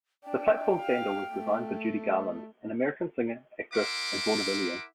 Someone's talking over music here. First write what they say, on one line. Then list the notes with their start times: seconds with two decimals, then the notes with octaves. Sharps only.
The platform sandal was designed for Judy Garland, an American singer, actress, and vaudevillian.
0.24 D4 G5
0.80 F5
1.31 A3
3.74 E4 A#4 E5 F#5 C6 D6